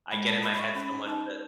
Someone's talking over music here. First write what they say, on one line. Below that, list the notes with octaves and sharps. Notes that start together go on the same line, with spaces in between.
I get in my head so much that
G#3 B5
A5
B5
B5
C#6
C#4 B5
D#4 A5